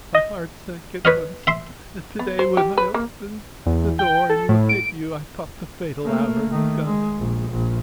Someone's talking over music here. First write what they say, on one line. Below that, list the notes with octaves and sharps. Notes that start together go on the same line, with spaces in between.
My heart sank at once, and to-day when I opened the door and looked at you, I thought the fatal hour had come.
D#5
B4 C#5 D#5 F6
E5 C6
B3
C5
G4
B4
A#3
E2
G5
A4
A2
D7
A3 A#3
D#3 A3
G#3
A#1
A#1